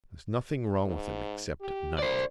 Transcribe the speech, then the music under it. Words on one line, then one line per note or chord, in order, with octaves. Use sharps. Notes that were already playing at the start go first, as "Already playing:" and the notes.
There's nothing wrong with him except at night.
G#2
G4
D2 C5 D5